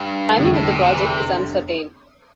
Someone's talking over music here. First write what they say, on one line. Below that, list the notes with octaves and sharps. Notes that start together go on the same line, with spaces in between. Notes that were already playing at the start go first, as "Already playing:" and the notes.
Timing of the project is uncertain.
Already playing: G2
F1 E2 A2 D3 G3 D4
A2
A#2
C3
E3
C3